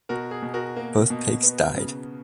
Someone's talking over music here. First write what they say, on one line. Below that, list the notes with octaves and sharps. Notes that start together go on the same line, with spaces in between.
Both pigs died.
B2 F#4 A#4
G#4
B2
F#4 A#4
A#3
B2
B3
C#3